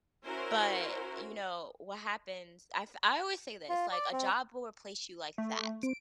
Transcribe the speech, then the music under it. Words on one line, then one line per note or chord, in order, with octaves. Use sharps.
but, you know, what happens I've I always say this, like, "A job will replace you like that.
C#4 E4 F#4 A#4 C5
F4
D5
C4
A3
C4 D7